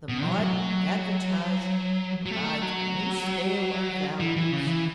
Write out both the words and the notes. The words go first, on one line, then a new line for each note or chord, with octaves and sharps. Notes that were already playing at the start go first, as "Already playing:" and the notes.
The modern advertising provides a new scale of values.
B2
F#3
F#3
F#3
A3
F#3
E3
E3
C#3
E3